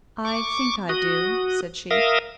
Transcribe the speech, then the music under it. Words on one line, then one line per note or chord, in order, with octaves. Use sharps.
"I think I do," said she.
C#6 D6
F#4 D#6
A#4 E5 F5 D#6